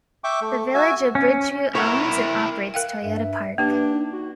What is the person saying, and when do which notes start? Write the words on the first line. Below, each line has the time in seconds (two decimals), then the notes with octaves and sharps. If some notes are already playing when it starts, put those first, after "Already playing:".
The Village of Bridgeview owns and operates Toyota Park.
0.24 E5 G5 C#6 D6
0.41 A3
0.75 F#4 E5 G#5
1.15 C#4
1.75 E4 A#4 C#5 E5 F#5
2.74 A#4 F5 G5
3.03 G2 E5
3.58 A#3 D4 G4 B4
3.91 D#4
4.13 F#4